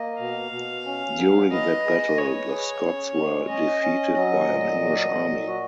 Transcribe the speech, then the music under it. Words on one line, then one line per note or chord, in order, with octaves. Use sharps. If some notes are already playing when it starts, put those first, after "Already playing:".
During that battle the Scots were defeated by an English army.
Already playing: A#3 D#5
B2 F5
B2
C#4
F#3
B4 D#5
G#4
B4 C#5
G#4
C#4
G#3
C#4 D#5
C#4
F#3 D#5
A#2
F#3
A#2
F#4